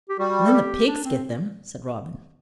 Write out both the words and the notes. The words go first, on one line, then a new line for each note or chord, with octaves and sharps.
"And then the pigs get them," said Robin.
G4
G3 F#4
A4
G4
D4
C4